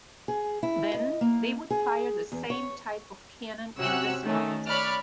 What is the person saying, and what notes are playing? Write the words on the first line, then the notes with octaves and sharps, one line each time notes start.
Then they would fire the same type of cannon in response.
G#4
E4
D#5
A#3
G#4
E2
C#5
C3 C#4 F#4 E6 F#6
D#3 A3 C#4
C#5 D5 B5 F6 F#6